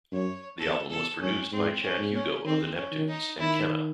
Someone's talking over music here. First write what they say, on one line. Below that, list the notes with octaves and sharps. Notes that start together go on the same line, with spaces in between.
The album was produced by Chad Hugo of The Neptunes and Kenna.
F#2 C#5
E2 A4
E2 A4
F#2 C#4
G#2 C4
C#4
G#2
C#4
D#3 C4
C#4
D#3
D#4
D#3 E4